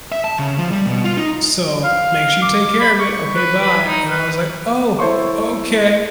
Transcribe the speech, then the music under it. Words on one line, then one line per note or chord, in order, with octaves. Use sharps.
so, make sure you take care of it, okay, bye," and I was, like, "Oh, okay."
E5
A5
C#3
F3
G3
B2
F4
D#4
F5
D6
B5
C#6
B4
B5
D#4
B4
E4 A4 C5 C#5 C6 C#6